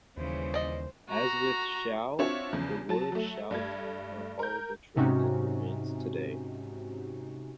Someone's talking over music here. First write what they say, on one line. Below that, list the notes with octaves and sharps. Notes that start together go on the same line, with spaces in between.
As with "shall", the word "shalt" did not follow the trend and remains today.
D#2 C#3 E3 G3 C5
D5 D#5
F#4 A#5
C4 D4 F4 F#4 C#5 E5
E2 C#3 F3
F#3 A5 A6
F#3 A3
G2 A3 G#6
A#4 G6
G#2 C3 C4 C#4 D#4 F#4